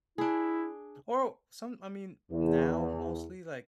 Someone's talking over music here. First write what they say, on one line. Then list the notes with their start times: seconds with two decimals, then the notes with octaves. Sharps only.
Oh! Some I mean, now mostly, like,
0.18 D4 E4 G#4
2.31 E2